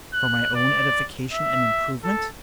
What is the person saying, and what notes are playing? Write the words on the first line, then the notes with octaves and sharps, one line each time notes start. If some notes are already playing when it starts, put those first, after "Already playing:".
For my own edification and improvement?
F#6
D5
E5
A4